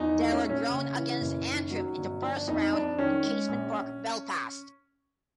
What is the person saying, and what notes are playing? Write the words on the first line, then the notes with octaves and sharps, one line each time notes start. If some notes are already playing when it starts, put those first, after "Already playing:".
They were drawn against Antrim in the first round in Casement Park, Belfast.
Already playing: E2 F3 D#4
A3
C#4
A#1
C#4
C#3
E3
F#1
D#3
F#3
G1
F3 D4
F2 D#4
F2 D4
D#3 C#4
G#3
A#1